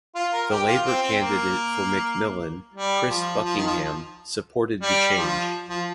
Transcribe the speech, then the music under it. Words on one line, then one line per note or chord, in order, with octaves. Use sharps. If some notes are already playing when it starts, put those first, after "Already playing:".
The Labor candidate for McMillan, Chris Buckingham, supported the change.
F4
A#4
G4
F4
C4
C4
A#3
G3
F3
F3
D#3
F3
G3
F3
F3